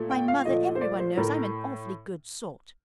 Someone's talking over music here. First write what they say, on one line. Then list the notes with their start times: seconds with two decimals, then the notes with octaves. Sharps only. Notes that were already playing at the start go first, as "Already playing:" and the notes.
"Why, mother, everyone knows I'm an awfully good sort."
Already playing: A#2 A3
0.11 G5
0.28 F5
0.45 A#2 F3 A3 D#5
0.75 C5
0.81 D5
0.99 C5
1.17 A2 A3 A#4